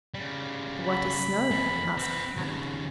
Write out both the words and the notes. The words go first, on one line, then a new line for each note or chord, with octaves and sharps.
"What is snow?" asked Kadok.
C#3 G3
B5
F2 E3
C4 B4
D#2 C#3